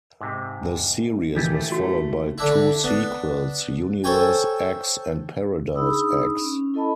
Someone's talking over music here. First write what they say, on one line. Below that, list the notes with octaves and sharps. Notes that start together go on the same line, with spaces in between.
The series was followed by two sequels, Universe X and Paradise X.
G#2 C3
A#2 D#3 E3 A3 G4 G#5 A5
F#4
D3 D4 E4
B3 D4
A4 C5 C#5 G5 G#5
D4 D#4 G#4 B5 D#6 E6
C#4
E4 A4 D#5 A5 B5